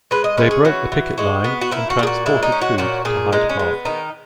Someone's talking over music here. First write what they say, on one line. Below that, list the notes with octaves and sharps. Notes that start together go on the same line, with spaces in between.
They broke the picket line and transported food to Hyde Park.
G#3 B4
D#5
C#4 B4
G#4
E3 F#4
E3
G#3 F#4
B3
F#4
A#2 E4
F#4
A#2 G#4
F#4
G#3 E4
D#4
C#4
F#4
A#2 F#4
A#2 G#4
G#3 D#4
C#4
B3
D#3 D#4